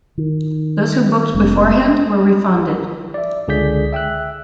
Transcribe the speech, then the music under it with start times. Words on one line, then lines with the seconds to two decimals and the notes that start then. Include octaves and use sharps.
Those who booked beforehand were refunded.
0.18 D#3
1.34 F1 G#3 B3 C#4
3.14 D5 E5
3.48 C#2 D3 G#4 D5 G6 B6
3.93 E5 G5 E6 F#6